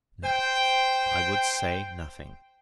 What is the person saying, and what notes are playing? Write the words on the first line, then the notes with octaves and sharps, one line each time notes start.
No, I would say nothing.
C5 G5